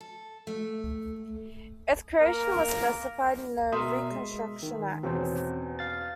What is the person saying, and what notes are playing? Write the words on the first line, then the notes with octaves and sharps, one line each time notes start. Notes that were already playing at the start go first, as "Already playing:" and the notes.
Its creation was specified in the Reconstruction Acts.
A4
A3
A#3 A#4
B2 A#4 E5 C6 D#6
G#3
D#3
E2 B2 C4 C#4 C5
F5 A6